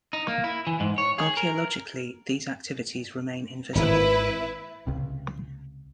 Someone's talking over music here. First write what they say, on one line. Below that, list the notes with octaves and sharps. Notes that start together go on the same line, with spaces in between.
Archeologically these activities remain invisible.
D#4
A#3
E4
E3
G#2
C#5
G#4
A#4
G#1 D#3 E4 B4
C#2 C3